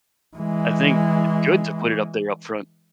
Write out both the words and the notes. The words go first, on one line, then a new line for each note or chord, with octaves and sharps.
I think it's good to put it up there upfront.
E3 G#3